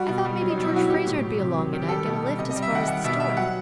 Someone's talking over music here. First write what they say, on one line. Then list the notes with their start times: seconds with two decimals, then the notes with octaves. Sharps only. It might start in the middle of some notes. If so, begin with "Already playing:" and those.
"I thought maybe George Fraser'd be along and I'd get a lift as far as the store."
Already playing: G3 F#4
0.08 B2
0.25 G3
0.41 F#3
0.49 D#4
0.58 B2
0.63 E4
0.73 F#3 F#4
0.90 F#3 G4
1.07 A2
1.23 F#3
1.39 C3
1.56 F#3
1.73 D#3
1.82 G4
1.89 G3 A4
2.05 B2
2.22 G3
2.38 C3 D#5
2.51 D#5
2.55 G3
2.62 E5
2.71 D#3 F#5
2.87 G3 F#5
3.04 B2 E5
3.20 G3 E5
3.37 F#3 F#5